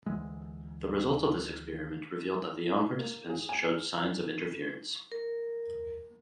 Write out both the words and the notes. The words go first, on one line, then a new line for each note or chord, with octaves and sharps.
The results of this experiment revealed that the young participants showed signs of interference.
D2 D3 E3 G#3
A#3
G#4
G#5
F6
A#4